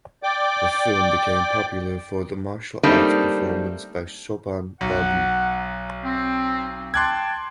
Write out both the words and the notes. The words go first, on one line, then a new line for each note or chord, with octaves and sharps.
The film became popular for the martial arts performance by Sobhan Babu.
D5 G5 D6
G3 A3 A#3 C4 D4 D#4
B1 F#5
C4
G5 A5 C6 D6 F#6 G#6